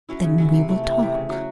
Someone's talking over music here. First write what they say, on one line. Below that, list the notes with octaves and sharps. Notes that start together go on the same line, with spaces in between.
Then we will talk.
F#3 C#4 E4
C#3
F#3 C#4 E4
C3
E3 A3
C3
E3 A3
C#3
F#3 C#4 F#4